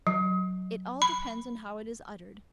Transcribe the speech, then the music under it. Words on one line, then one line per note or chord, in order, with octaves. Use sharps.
It all depends on how it is uttered.
F#3
B5